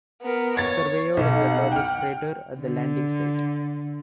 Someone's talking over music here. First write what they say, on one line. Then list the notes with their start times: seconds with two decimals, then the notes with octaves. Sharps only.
Surveyor is the largest crater at the landing site.
0.23 B3 A#4
0.57 C#5 G#6 A6
1.17 B1 F#5
1.72 G5 F6
2.59 D3